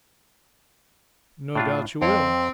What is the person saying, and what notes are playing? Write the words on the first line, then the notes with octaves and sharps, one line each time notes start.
"No doubt you will!"
A2 D4 F4
F2 C4 C#5